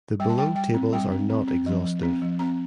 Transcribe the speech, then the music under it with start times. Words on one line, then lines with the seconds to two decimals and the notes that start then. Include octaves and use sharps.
The below tables are not exhaustive.
0.20 G3 G5
0.29 A5
0.38 G3 G5
0.56 G3 G5
0.74 C4
0.93 G3 G5
1.12 C4
1.30 C4
1.48 C4
1.66 F3
1.84 F3
2.03 C4
2.22 F3
2.39 C4 A#5